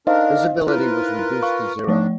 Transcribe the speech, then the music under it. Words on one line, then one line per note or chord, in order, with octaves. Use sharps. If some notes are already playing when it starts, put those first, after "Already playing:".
Visibility was reduced to zero.
D4 D#4 A#4 C5 D#5 F5
E4 F4 A#4 B4
F5 C#6
G#2 F3 A3 D4 C#5